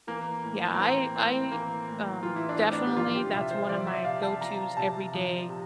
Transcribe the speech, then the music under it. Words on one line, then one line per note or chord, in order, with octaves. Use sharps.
yeah, I I, um definitely that's one of my go-to's every day
E3 A#3
A2
A#3
E3 C4
A2 C4
E3 A#3
A2
E3 F4
E4
D4
A2 C4
D4
G4
F3 F4
G4
C3 E5
C5
F3 D5
E5
C3 F5
A5
F3 A#5
C3 A5
F3
C3